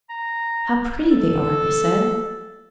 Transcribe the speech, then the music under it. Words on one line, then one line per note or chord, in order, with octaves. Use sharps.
"How pretty they are!" they said.
A#5
A4